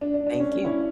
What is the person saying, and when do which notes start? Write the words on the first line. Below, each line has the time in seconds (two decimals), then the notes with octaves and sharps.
Thank you.
0.01 D4
0.14 D4
0.27 D4
0.40 C#4
0.52 D4
0.65 C#4 E4